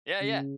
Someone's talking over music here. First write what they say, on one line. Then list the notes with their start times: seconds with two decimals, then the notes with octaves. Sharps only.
Yeah, yeah.
0.21 C#3